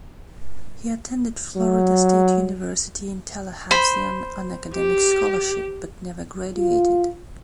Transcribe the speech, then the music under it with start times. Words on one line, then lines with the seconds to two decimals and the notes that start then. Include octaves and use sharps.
He attended Florida State University in Tallahassee on an academic scholarship, but never graduated.
1.57 F#3
3.71 C5 B5
4.74 G4
6.56 F4